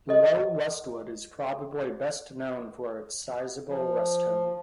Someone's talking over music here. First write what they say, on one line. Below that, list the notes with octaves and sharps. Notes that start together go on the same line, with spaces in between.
Low Westwood is probably best known for its sizeable rest home.
A4 D#5
F3